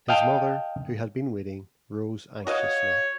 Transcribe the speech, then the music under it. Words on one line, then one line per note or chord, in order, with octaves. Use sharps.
His mother, who had been waiting, rose anxiously.
D#5 F5 G5 A5
F#4 C#5 D#5 F5